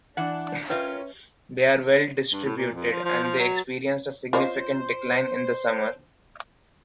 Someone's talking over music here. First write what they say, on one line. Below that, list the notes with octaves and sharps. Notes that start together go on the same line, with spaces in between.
They are well distributed, and they experience a significant decline in the summer.
E3 D4 F#5
C#4 F4 A#4 B4 D#5 E5 G5
G2
A2
A#2
F2
F3
F3
F3
F#3
F4 C5 C#5 D#5